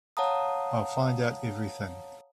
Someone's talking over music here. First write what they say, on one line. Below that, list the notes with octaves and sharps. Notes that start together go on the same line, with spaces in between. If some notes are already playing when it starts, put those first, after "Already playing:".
I'll find out everything.
C#5 F5 F#5 A5 A#5 D#6